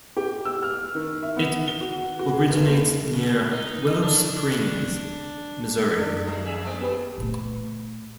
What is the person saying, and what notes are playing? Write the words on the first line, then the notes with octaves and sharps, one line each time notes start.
It originates near Willow Springs, Missouri.
G4
E6
F6
D#3
E5
B3
G7
F#4
F#4
G#4
F1
D#2
B2
D#4
D4
F#2 D#3 D4
F#3 A3
F2 G#4 E5
A3 A#3
B3 G4 B4
A#2 A3